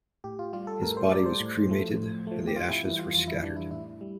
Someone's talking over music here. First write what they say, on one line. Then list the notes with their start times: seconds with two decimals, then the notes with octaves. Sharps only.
His body was cremated and the ashes were scattered.
0.24 A2 G4
0.39 F4
0.53 G3 F4
0.67 A4
0.83 A2 A#4
0.97 C5
1.11 G3 D5
1.26 C5
1.40 A2
1.69 F3 A3
1.98 A2
2.27 F3 A3
2.47 G4
2.55 F2 F4
2.70 E4
2.84 E3 G3 E4
2.99 F4
3.14 F2 F4
3.28 E4
3.42 E3 G3 D4
3.56 E4
3.71 A2 E4
4.01 G3